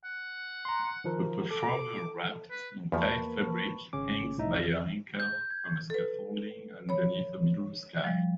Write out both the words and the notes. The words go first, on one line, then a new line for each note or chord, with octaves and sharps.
A performer wrapped in tight fabric hangs by her ankle from a scaffolding underneath a blue sky.
F#5
A#5 C6
D#3 F3 A#4
A4 D6
B4
E2 F3 A#3 B4 C#5 A5
G#1 C#3 C#4 D6
C2 A2 D#4 E5
F2
G6
G#6
A4 B4
C#5 B5
F3 G3